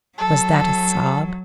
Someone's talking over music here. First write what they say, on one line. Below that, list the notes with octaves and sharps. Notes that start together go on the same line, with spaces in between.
Was that a sob?
F#3 A4